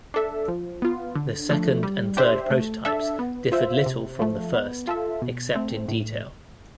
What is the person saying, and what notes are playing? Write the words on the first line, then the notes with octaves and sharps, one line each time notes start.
The second and third prototypes differed little from the first except in detail.
D4 A4 E5
F3
B3 F4
D3
F3 A3 D4
G3
D4 G4 C5 E5
A3
D4 A4 E5
B3
F4 C5 E5
C3
F3 A3
B3
F4 A4 E5
B2
A3 C4
A2